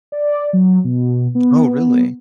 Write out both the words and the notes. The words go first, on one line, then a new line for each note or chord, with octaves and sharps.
Oh, really?
D5
F#3
B2
B3